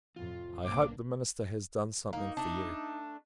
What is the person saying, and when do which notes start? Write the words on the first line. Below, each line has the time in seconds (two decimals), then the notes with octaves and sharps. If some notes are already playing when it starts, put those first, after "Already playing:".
I hope, the minister has done something for you.
0.16 F2 A2 C3 F4
0.65 B1 A2 C3 A#3 D4 C5 D6
2.13 A#3 D#4
2.37 A3 D4